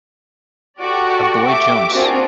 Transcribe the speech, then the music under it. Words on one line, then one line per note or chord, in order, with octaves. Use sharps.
A boy jumps.
F#4 G4 A4 D5 F#5
A3 G4 E5 D6 D7
A#3 C4 D4 F4 F#4 G#4